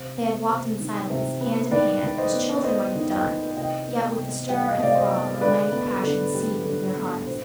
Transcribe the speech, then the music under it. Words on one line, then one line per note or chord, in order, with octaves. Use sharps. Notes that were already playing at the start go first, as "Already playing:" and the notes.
They had walked in silence, hand in hand, as children might have done, yet with the stir and throb of a mighty passion seething in their hearts.
Already playing: C3 C5
B3
C3
D#3
C3
B3
D#3 B4 D5
D#3
C5 D#5
B3
B3 C5 D#5
D#3
D#5 G5
D#3
C3 D#5 G5
B3
C3
G3 G5
F5
D#5
C3 D5 F5
C5 D#5
B3
D3 B4 D5
B3
B4
D3
G3
D3
B3
B2 C5